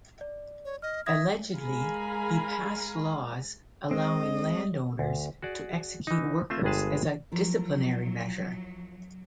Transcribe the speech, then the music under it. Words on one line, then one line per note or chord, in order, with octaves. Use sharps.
Allegedly, he passed laws allowing landowners to execute workers as a "disciplinary" measure.
D5
C#5
D#5 F6
E5 D#6 G#6 A#6
G#3 A#4 F5 G#5 A#5 B5
G#3 C4 D#5
D2
F#4 G#4 D5
E3 D#4
A3 C4 F4 C5 E5
G1 G2 G#3 G#4 B4 A5
F3 F#3 E4 A#4